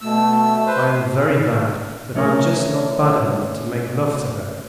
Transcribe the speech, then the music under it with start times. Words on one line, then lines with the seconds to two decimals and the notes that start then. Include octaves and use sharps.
I am very bad, but I'm just not bad enough to make love to her.
0.01 B2 A3 E6
0.67 B4 C5
2.15 A3 C#4 A#4